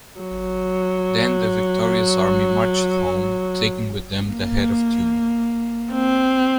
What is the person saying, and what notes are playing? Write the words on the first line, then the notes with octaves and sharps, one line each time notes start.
Then the victorious army marched home taking with them the head of Teumman.
F#3
A#3
C4